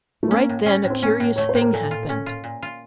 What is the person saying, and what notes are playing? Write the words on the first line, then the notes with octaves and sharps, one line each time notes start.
Right then a curious thing happened.
A3
A#3 C#4
A2
C#4
A2
C4
A#3 C#4
A2
A3 C#5
C5
A2
A#4
A#2 A4
F4
C#4
F4
A#2
F4